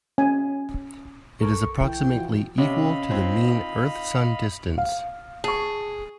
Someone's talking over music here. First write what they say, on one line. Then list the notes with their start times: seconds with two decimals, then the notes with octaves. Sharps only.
It is approximately equal to the mean Earth-Sun distance.
0.18 C#4 G#5
1.41 B1 A4 A#4 C#6
1.82 E3 G5
2.15 E3 F3 F4 F#4
2.58 C3 C#4 C#5 D#5 F5 B5
3.11 C4 D#4 F4
4.78 F5
5.44 G#4 A5 C#6